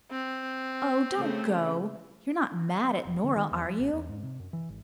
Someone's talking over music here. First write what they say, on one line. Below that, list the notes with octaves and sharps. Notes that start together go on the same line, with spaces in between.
"Oh, don't go; you're not mad at Nora, are you?"
C4
C#3 A3
F1
D3
D#3
E2
F3
A1
E2
G#2
C3
F#2
E3
G#1